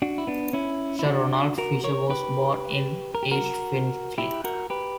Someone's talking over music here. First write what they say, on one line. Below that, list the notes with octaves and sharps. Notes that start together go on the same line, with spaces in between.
Sir Ronald Fisher was born in East Finchley.
D4 F#4
E4
B3 D4
C#4 E4
E4
D4 F#4
F#4 A#4
A#4 C#5
G4 B4
A#4
G4
F#4 A#4
E4 G4
F#4 A#4
G4 B4